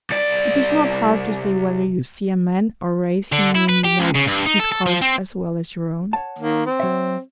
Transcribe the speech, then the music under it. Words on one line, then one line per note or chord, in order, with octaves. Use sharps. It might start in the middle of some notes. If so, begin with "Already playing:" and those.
It is not hard to say whether you see a man or raise him when you know his cards as well as your own.
C2 D5
D3
E4
B4
G4
C#2
C#3
G2
D#4
A4
A4
F3
C4
C#5 F#5 A5
D#3 A#3
C4
F#3 C#5 E5